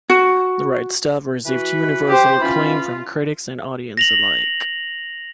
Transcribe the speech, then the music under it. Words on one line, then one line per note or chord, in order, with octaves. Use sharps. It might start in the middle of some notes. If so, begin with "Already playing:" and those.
"The Right Stuff" received universal acclaim from critics and audience alike.
F#4
E3 F#4 B4
G4 C5
E3 C#4 F4 B5
A#6 F7 F#7